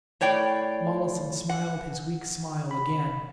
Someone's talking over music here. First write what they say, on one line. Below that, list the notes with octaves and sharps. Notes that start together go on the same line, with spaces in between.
Mollison smiled his weak smile again.
A2 C#5 D5 G5
F#5
B5